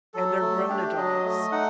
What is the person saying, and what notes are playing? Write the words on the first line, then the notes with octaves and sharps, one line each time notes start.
and they're grown adults.
F#3 A4
A3
D4 G4
F#3 D#5
A3 D#5
D#4 F#5